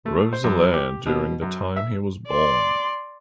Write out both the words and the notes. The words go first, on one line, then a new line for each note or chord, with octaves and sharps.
Roeselare during the time he was born.
A3
C5
F#2
G4
B2
F#2
E5
D5 C6